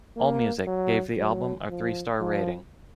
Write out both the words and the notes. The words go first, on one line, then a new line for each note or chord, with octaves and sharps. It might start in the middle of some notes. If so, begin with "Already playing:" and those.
AllMusic gave the album a three star rating.
A#3
F#3
F#3
F3
F3